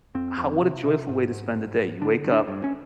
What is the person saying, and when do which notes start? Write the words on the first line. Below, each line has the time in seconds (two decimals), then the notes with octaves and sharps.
how what a joyful way to spend the day. You wake up,
0.15 F2 C4
0.37 F2
0.62 C3
0.85 C3
1.09 G#2
1.32 G#2
1.55 G#2
1.78 G#2
2.01 D3 D4
2.25 G2
2.32 D4
2.48 G2
2.64 C#4